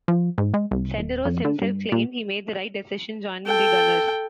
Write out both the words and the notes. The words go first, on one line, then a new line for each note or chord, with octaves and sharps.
Senderos himself claimed he made the right decision joining the Gunners.
F3
G#2
G#3
C2
D#1
F2
D3
G2
A#2
A4 G5